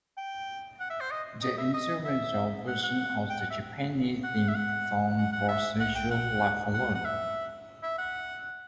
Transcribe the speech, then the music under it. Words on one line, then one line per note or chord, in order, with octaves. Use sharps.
The instrumental version of the Japanese theme song was usually left alone.
G5
F#5
E5
C5
D#5
D#5
E5
D#5
E5
F#5
F#5
G5
F#5
E5
F#5
E5
F#5
F#5
F#5
E5
F#5
G5
F#5
F#5
F#5
E5
E5
F#5